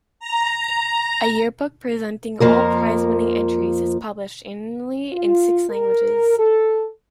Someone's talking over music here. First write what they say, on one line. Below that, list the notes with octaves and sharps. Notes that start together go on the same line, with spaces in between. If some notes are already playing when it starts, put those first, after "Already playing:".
A yearbook presenting all prizewinning entries is published annually in six languages.
A#5
F2 F3 A#3 A#4
F4
A#4
A4